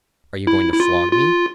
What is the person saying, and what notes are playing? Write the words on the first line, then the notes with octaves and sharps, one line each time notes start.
Are you going to flog me?
E4
E4
F4
F4